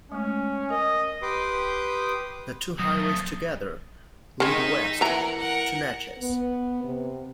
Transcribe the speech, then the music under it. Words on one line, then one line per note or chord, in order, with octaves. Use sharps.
The two highways together lead west to Natchez.
G#3 A3 C#4
A#4 D#5
G4 B4 C6 D6 D#6
B2 F#3 C4 D#6
F3 A3
D#3 G#3 D#4 E5
E3 A#4 F#5 A#5
A#4 F#5
B3
C3